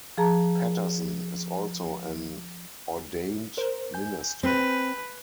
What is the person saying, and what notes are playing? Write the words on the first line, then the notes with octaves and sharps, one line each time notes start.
Patterson is also an ordained minister.
F3 G#4 A5 A#5
A#4 C5
G#5 G6
C4 B4